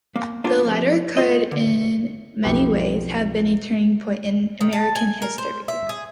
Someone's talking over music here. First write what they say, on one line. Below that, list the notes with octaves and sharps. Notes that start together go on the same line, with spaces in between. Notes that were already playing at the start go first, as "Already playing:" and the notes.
The letter could in many ways have been a turning point in American history.
A#3
A#3 B3 D4 F4
F2 C3
A3 F4 D#5
D3
B1 F2 G4 B4
D#3
A5
G#5
A#4
C5
E5
G#4